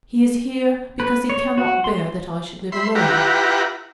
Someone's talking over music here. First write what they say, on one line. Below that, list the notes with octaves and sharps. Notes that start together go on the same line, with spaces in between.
He is here because he cannot bear that I should live alone.
B4
C#5
F#4
C6
E5 B5 C6
E4 F4 G4 B4 F#5 A#5